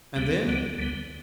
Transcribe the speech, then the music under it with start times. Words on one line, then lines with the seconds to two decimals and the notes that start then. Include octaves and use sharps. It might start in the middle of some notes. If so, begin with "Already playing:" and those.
"And then?"
0.16 D2 D3 G3 B3
0.47 D2 D3 G3 B3
0.78 D2 D3 G3 B3